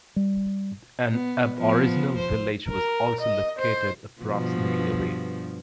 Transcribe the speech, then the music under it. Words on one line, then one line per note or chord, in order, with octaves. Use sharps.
An aboriginal village was also located approximately away.
G3
B3
F3 B3
C5
A#4
D#5
C5
G2 B2 F3